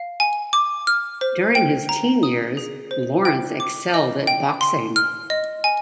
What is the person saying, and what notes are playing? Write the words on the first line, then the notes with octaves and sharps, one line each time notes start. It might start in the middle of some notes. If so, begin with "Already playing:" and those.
During his teen years, Lawrence excelled at boxing.
Already playing: F5
G#5
D6
F6
C5
G5
A#5
D#6
G#4
C5
G5
D6
D#5
G5
C6
F6
D#5
G#5